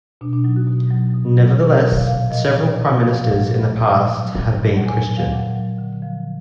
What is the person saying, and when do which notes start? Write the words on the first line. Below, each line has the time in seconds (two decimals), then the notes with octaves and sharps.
Nevertheless, several Prime Ministers in the past have been Christian.
0.21 B2 D4
0.33 D4
0.44 F#3 D#4
0.56 F#4
0.67 B2
0.91 F#3
1.14 B2
1.38 F#3
1.60 B2 G#4
1.73 A#4
1.84 F#3
1.96 F5
2.07 A#2 F5
2.30 F3 D#5
2.54 A#2 D5
2.77 F3
2.91 F#5
3.00 A#2 F5
3.11 F5
3.23 F3 F5
3.35 F#5
3.47 A#2
3.70 F3
3.93 A#2 F5
4.16 F#3
4.39 A#2
4.63 F#3
4.76 F#5
4.85 A#2 G#5
5.09 F#3
5.17 F5
5.32 A#2 F#5
5.55 F#3
5.78 D3
6.02 F3